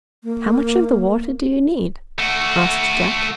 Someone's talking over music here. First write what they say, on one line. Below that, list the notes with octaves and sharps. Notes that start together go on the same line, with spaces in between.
"How much of the water do you need?" asked Jack.
A#3
A3 F#4